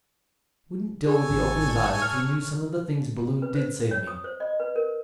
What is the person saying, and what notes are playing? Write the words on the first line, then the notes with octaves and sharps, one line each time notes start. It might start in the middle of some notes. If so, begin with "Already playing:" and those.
Wouldn't Dilworthy open his eyes if he knew some of the things Balloon did say to me.
G#4 A4 C#5 G#5
G#1
F6
B4
C5
C#5
D#6
C5
D#5
B4
A#4